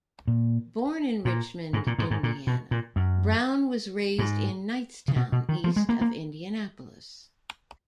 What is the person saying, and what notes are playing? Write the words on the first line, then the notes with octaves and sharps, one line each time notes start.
Born in Richmond, Indiana, Brown was raised in Knightstown, east of Indianapolis.
A#2
A#2
G#2
A#2
G#2
G#2
A#2
B2
A#2
F#2
G#2
C#3
B2
B2
D#3
F3
G#3
A#3
A#3